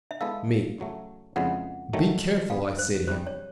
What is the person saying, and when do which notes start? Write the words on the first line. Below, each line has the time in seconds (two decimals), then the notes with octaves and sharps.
ME: Be careful, I say to him.
0.11 E5
0.21 G#3 B3 E4 A4 F5
0.78 E2 C#3 F#3 A3
1.36 F2 C#3 E3 G#3 B3 F#5
1.93 D#3 F#3 A3
2.50 B2 G3 B3 F5
2.79 C5
3.07 E2 C3 E3 G3 C5
3.27 C#5